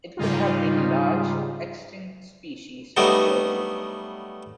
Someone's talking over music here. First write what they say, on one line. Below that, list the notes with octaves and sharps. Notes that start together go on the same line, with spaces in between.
It could have been a large, extinct species of turtle.
G#2 C#3 G3 D#4 F4
F#3 G3 A3 B3 D#4